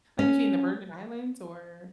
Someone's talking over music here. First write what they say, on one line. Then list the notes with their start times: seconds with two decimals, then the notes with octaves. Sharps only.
Like is she in The Virgin Islands or
0.19 C#4